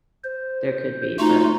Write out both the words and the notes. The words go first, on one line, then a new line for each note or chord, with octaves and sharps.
there could be, but
C5
A3 D#4 F4 F#4